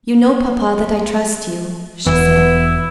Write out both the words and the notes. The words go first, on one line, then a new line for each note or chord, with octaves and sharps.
"You know, papa, that I trust you," she said.
E1 E3 B3 E4